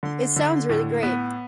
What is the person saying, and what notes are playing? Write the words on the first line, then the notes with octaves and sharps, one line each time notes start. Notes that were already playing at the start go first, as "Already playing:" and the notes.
It sounds really great.
D3
D3
A2
B3